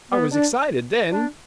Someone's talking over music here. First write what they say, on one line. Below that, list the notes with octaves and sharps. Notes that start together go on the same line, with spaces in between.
"I was excited then."
B3
D4
D4